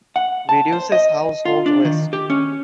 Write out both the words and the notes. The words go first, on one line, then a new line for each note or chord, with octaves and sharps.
Reduces household waste.
F#5
A5
C5
D#5
F4
D4
D#3
G4
C#4